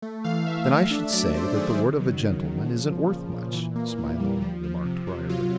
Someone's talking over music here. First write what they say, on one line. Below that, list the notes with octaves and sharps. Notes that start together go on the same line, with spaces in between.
"Then I should say that the word of a gentleman isn't worth much," smilingly remarked Briarly.
A3
E3 F5
E3 E5
A3 E5
D4 E5
F#3 D5
D4 C5
D#3 G#4
C#3
F#3
C#3
C#3
F3
A#2
F3
A#2
E3
A#3
E3
G3
F3
F3
C3
C3
F#3 F4